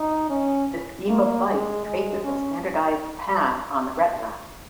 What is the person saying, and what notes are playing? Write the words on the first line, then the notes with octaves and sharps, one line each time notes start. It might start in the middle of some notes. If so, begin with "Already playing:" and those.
This beam of light traces a standardized path on the retina.
Already playing: D#4
C#4
A#3
G#3
G#3
C#4